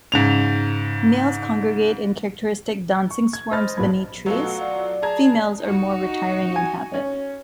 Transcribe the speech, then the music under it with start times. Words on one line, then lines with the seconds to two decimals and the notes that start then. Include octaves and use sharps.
Males congregate in characteristic dancing swarms beneath trees; females are more retiring in habit.
0.12 G#2 C#3 F7
3.11 C#6
3.33 G#6
3.51 C5 D#5 B5 D#6 F6 A6
3.77 A#1 F#3 B3 B5 G#6
4.26 B2 F#3 A3 F4 F#4
4.62 D5
5.02 G#4 A5 A#5 G#6
5.61 D#4 F#4
6.56 G#5
6.94 C#4